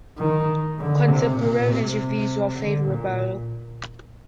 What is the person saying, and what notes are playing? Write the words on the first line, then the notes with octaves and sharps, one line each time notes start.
Contemporaneous reviews were favorable.
D#3
D3
C3
A#2
C3
D3
A#2